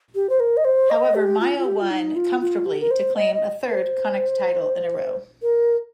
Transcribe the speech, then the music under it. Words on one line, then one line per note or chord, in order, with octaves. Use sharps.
However Mayo won comfortably to claim a third Connacht title in a row.
G4
C5
A#4
D#5
C5
D#5
G4
F4
F4
G4
F4
D#4
F4
F4
G4
A#4
C5
D#5
D#5
A#4
C5
A#4